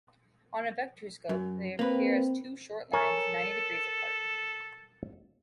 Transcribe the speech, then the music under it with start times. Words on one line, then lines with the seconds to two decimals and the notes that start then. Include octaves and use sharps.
On a vectorscope, they appear as two short lines ninety degrees apart.
1.29 F#2
1.79 A#3 C4 B4
2.93 A4 A#4 C#5 G#5